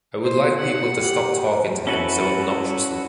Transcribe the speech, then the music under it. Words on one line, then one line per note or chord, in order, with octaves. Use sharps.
I would like people to stop talking to him so obnoxiously.
C5
D#4 F#5
G4
C#4 E4 F#4 A4 B4